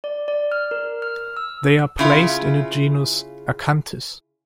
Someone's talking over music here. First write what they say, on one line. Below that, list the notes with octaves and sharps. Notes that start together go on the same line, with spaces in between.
They are placed in the genus "Acanthis".
D5
D5
F6
A#4
F6
E6
C#3 E4 F4